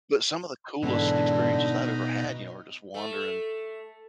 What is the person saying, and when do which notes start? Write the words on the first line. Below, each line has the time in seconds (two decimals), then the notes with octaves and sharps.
But some of the coolest experiences I've ever had, you know, are just wandering
0.83 G#2 B2 D3 E3
1.53 B2 D#4
2.94 A3